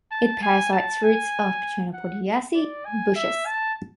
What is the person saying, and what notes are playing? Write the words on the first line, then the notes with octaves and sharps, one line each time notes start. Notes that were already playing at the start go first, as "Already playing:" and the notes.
It parasites roots of Chenopodiaceae bushes.
A5
G#5
A5
G#5
F#5
D5
G#5
E5
A5